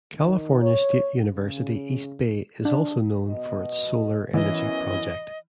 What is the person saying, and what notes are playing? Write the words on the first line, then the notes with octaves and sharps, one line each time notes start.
California State University, East Bay is also known for its Solar Energy Project.
D#3
C#5
C#3
D4
B2 D#5
F#2 E3 B3 C#4 D#5